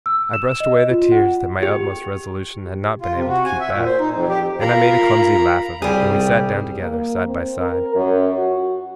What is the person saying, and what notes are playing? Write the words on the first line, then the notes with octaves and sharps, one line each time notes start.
I brushed away the tears that my utmost resolution had not been able to keep back, and I made a clumsy laugh of it, and we sat down together, side by side.
E6
E7
D#5
F4
F#5
G4
F4
C3
F#4
G#5
E5
A#2
C5
D#4
F2
G4
F4 A#4 F5 A#5 B5
C2 G3 G#4
A#3
C4
A#4
F#2
F#4